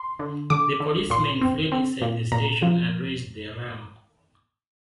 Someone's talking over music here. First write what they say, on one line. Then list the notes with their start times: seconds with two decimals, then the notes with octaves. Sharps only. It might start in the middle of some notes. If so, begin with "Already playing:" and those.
The policemen fled inside the station and raised the alarm.
Already playing: C6
0.19 D3
0.50 D3 D6
0.80 D3
1.10 A#2 C6
1.41 C4
1.72 C4
2.02 A#2
2.32 A#2 A#5
2.62 F3